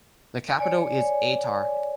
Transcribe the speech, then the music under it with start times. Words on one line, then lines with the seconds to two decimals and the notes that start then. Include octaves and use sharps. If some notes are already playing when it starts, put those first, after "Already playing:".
The capital is Atar.
0.58 C#5 D5 G#5